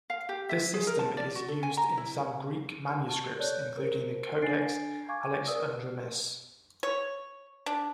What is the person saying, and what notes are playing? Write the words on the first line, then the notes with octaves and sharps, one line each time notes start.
This system is used in some Greek manuscripts including the Codex Alexandrinus.
F5
G4
E5
G#4
A#4
A5
D5
F#4
A4
G#5
A#5
E4
A5 C#6
A4 C#5 D5 F#6 G6
A#4 C5
D4 A4 G#5 A6 C7 D7
F5 G#5 C#6 D6 G#6
A#4 B4 D5 D#6 E6
C#5
D4